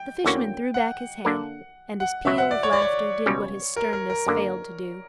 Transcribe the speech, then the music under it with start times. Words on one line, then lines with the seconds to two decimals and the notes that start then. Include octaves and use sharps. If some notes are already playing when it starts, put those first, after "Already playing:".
The fisherman threw back his head, and his peal of laughter did what his sternness failed to do.
Already playing: G5
0.24 E2 D3 A#3 C#4 F#4
0.74 F#5
1.25 D3 A#3 D4 A#4
2.00 F#5
2.25 C#2 B2 F#3 E5
2.38 F#5
2.51 D5
2.63 C#5
2.73 D5
2.82 C#5
3.26 C#2 B2 G3 C#4
3.76 A#4
3.93 A#4
4.10 A#4
4.27 F#2 D3 A#3